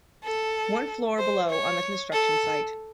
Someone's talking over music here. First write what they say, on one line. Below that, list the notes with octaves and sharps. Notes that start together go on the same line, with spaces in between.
One floor below on the construction site.
A4
C5
C#5
A4